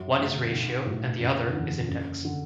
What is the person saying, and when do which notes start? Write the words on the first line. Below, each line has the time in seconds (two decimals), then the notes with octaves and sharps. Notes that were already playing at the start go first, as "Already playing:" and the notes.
One is ratio and the other is index.
Already playing: F#2
0.18 D3 F#3 A3
0.51 B1
0.85 A2 F#3
1.20 F#1
1.53 E2 D3
1.88 F#1
2.25 D3